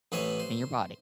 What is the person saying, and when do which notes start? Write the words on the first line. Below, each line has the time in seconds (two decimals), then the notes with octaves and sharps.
in your body.
0.12 A1 B3 C5 C#5 E5 G#5
0.40 C5